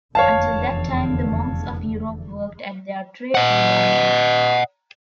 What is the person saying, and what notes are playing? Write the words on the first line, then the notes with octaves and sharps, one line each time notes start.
Until that time the monks of Europe worked at their trade in their monastery.
F1 E2 D3 C#5 F5 A5
D#5 F#5